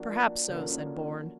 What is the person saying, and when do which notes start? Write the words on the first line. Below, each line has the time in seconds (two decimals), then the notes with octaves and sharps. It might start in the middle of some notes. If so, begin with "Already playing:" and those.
"Perhaps so," said Bourne.
Already playing: F3 A#3 D4 F#4
0.49 D3 F3 A#3 C#4 F#4